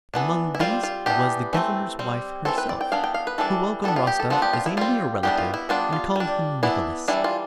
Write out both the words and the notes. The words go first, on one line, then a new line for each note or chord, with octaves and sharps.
Among these was the governor's wife herself, who welcomed Rostov as a near relative and called him "Nicholas."
E3 B3 D4
E4
G3 C4 F4
F4
E3 B3 D4 G4
E3 A3 C4
G3 C4
E3 A3 C4 A4
B4
D5
G5
E3 B3 D4 F5
G5
F5
B4
E3 G3 D4 A4
G3 B3 D4 A4
F4
G4
A4
F3 B3 D4 A4
G4
F4
E4
G3 C4 F4
E3 G3 B3 D4 G4
F4
E4
G3 B3 D4 F4
F4
G3 D4
E3 B3 D4 E4
E3 G3 D4 E4
F4